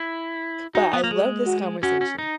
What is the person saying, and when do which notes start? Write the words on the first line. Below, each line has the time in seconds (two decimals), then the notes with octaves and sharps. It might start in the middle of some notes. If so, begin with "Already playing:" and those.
but I love this conversation.
Already playing: E4
0.75 D#4 F#4
0.93 B3
1.04 A#3
1.11 G#3 G#4
1.46 F#4
1.83 C#4 F#4
2.01 C#4
2.18 D#4